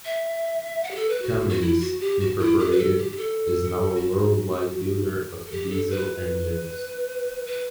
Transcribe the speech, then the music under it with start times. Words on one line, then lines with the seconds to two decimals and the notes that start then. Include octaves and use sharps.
Cummins, Incorporated is now a worldwide builder of diesel engines.
0.05 E5
0.84 F#5
0.91 G4
0.96 A4
1.09 B4
1.22 F#4
1.50 F#4
1.61 E4
1.80 F#4
2.00 G4
2.20 F#4
2.39 E4
2.59 G4
2.71 B4
2.78 A4
2.98 G4
3.12 G4
3.17 A4
3.95 F#4
5.47 A4
5.52 G4
5.71 A4
5.90 B4
7.46 B4